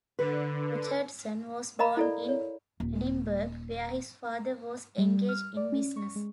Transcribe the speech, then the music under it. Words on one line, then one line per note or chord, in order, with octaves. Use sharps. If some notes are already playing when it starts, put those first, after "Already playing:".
Orchardson was born in Edinburgh, where his father was engaged in business.
D3 B4
A#4 D#5 F5 A#5 B5
E4 A4 D5
C#5
D#1
G3
F6
D5
C#4
C#6
G#3